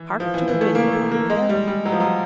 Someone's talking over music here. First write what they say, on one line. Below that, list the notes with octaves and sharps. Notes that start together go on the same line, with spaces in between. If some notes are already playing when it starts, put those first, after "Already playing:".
Hark to the wind upon the hill!
Already playing: E3
F3
E3
E3
A3
A#3
A3
A#3
G#3
G3
G3
F#3
F3
F#3